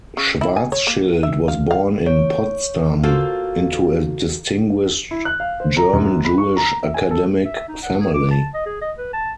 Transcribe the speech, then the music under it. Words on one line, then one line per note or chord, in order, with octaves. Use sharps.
Schwarzschild was born in Potsdam into a distinguished German Jewish academic family.
C#3
E4
G#5
C#5
A#3
E5
F5
F5
C#5
A#3 F4 F#4 A4 C5
E4
F#6
F5
C5
A#5
F#2
B5
C#6
A#5
E5
G#5
A4
E5
D#4
F#5
G#4
D6
A5
D#5
G#4
D#5
B4
A5